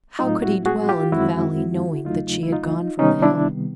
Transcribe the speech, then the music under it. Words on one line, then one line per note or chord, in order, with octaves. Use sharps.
How could he dwell in the valley knowing that she had gone from the hill?
A2 F#3 A3 C4 D#4 F4
E4 F#4
F#4 G#4
F4 G4
F#2 D#3 G#3 C4 E4 F#4
E2 C#3 F#3 A3 D#4 F4
E4
D#4 F4
C3 D#3 G3 B3 C#4 D#4
D4 E4